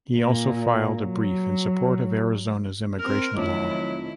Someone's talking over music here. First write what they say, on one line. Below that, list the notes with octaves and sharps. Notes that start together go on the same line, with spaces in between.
He also filed a brief in support of Arizona's immigration law.
A#2
F#3
C4 A#4 F6
F1 F2 D#3 F#3 E4 D6